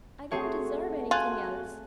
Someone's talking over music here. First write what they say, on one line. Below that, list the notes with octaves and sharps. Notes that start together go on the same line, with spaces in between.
'I don't deserve anything else.
A3 C4 F#4 G#4 C#5
F4 G#5 F#6